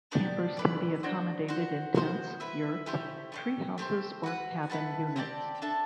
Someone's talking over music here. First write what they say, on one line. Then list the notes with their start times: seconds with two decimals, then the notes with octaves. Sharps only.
Campers can be accommodated in tents, yurts, tree houses or cabin units.
0.11 B3 D4 G4 D5
0.57 E4 B4 D5
1.03 D4 F#4 C5
1.48 F#4 C5 F#5
1.95 B3 F#4 C5
2.40 E4 B4 E5
2.86 A3 E4 G4 C5
3.32 A3 E4 G4
3.78 A3 C4 G4 C5
4.23 F#4 B4 F#5
4.70 E4 B4 F#5 A5
5.16 C4 G4 D5 A5
5.62 D4 A4 E5 A5